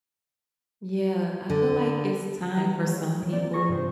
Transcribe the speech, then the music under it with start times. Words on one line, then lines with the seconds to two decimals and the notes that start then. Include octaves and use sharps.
Yeah. I feel like it's time for some people,
1.50 D3
2.55 E3 A#5
2.86 F#3 G#3
3.32 A#3 C4 D5
3.53 F3 F4 G#4 C#6 A#6
3.69 G2 C3 C5